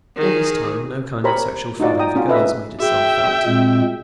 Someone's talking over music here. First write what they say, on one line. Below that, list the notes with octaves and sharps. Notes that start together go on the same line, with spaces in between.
All this time, no kind of sexual feeling for girls made itself felt.
D#3 G#4
G4 A#4 C5 C#5 A#5 B5
D#4 F4 F#4 D5
G5 A#5 D#6
C#4 F4 F#4
A4 B4 D#5 E5
F#4 G#4 E5 G5
A#2 G#3 C4